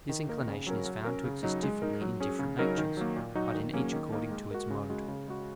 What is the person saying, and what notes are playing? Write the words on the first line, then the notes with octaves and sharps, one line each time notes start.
This inclination is found to exist differently in different natures; but in each according to its mode.
D#3
A#3 D#4 A#4
C#3
F#3 C#4 A#4
F#3
C#4 A#4
C#3
F#3 D#4
G#3
D#4 A#4
F#3
C#4 G#4
C#3
F#3 D#4 A#4
D#3
F#3 A#3
A#2
F#3 D#4 F#4
D#3
F#3 A#3 C#4 G#4
D#3
A#3 D#4 A#4
G#3
F#4 A#4
C#3
G#3 F#4
C#3
G#3 F#4